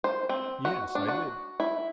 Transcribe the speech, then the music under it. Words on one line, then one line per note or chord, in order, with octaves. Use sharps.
"Yes, I did."
C5
C4
F#4
D4
F#4
E4